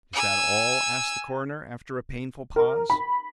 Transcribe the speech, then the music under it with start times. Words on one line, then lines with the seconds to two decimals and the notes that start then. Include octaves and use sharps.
"Is that all?" asked the coroner, after a painful pause.
0.13 G#5 E6
2.56 A#4
2.90 B5